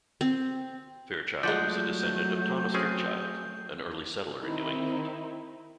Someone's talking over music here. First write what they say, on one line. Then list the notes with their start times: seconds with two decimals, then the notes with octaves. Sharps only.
Fairchild was a descendant of Thomas Fairchild, an early settler in New England.
0.21 C4
1.43 F3 F#3 G#3 A3 D5 F#5 G6
2.74 C4 C#4 G#4
4.41 D#3 C4 D#4 E4